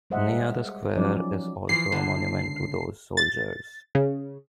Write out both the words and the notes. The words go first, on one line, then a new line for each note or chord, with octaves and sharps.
Near the square is also a monument to those soldiers.
G3 G#3 C5 D#5 E5 F#5
F3 F#3 C#4 D#4 D5
E3 F3 C7
C#2 D3
A6
C#3